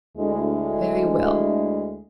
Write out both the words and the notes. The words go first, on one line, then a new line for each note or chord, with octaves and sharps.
'Very well.
D2 G#3 E4